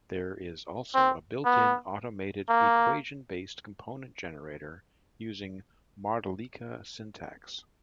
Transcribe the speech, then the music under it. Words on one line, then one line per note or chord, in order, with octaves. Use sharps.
There is also a built-in automated equation based component generator using Modelica syntax.
C4
B3
A#3